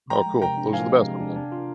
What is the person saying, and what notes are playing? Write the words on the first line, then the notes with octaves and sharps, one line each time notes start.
Oh, cool. Those are the best ones, then.
F3 G5 A#5
G#3
C3 G5 A#5
D4
F3 F5 G#5
G#3
C3
D4
D4
F4